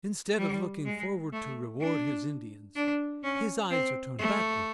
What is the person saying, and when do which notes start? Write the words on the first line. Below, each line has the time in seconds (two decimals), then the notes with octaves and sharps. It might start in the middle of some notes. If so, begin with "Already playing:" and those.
Instead of looking forward to reward his Indians, his eyes are turned backward.
0.38 G3
0.85 G#3
1.33 A3
1.81 D4
2.76 D4
3.23 C#4
3.71 C4
4.18 A3